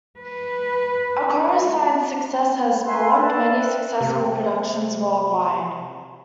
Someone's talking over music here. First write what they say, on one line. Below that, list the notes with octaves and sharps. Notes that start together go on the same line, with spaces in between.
"A Chorus Line"s success has spawned many successful productions worldwide.
B4
F#4 A4 B4 E5 G#5 C6
B4 D5 E5 F5 G5 A5
C3 A#3 G4 A#4